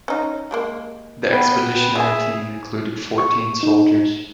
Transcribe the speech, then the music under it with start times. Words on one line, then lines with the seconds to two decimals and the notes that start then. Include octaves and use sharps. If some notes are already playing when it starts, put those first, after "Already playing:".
The expeditionary team included fourteen soldiers.
0.08 C#4 D#4
0.51 G3 G#3 A#3
1.32 B3 B4 G5
1.96 A#3 G#4 E5 G#5
3.18 C#6
3.63 D#4